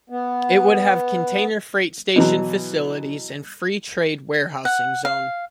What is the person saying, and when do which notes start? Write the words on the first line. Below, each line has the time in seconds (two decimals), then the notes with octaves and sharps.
It would have container freight station facilities and free trade warehousing zone.
0.10 B3
2.16 B2 E3 F#3
4.65 F#5
5.05 F5